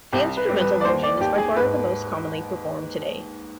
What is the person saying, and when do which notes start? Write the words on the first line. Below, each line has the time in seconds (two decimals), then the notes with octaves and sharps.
The instrumental version is by far the most commonly performed today.
0.12 C2 G4
0.37 B4
0.49 G3
0.60 B4
0.81 D5
0.85 D#2 C5
1.03 D5
1.20 D#2 G4
1.38 G#4
1.57 G#2 B4